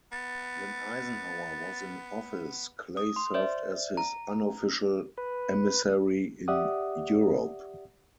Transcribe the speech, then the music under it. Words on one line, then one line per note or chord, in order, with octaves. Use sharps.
When Eisenhower was in office, Clay served as his unofficial emissary in Europe.
B3 A6
D#6
C6
C5 D5 E5
A#5
B4
G4 D5 E5 F#5 D#6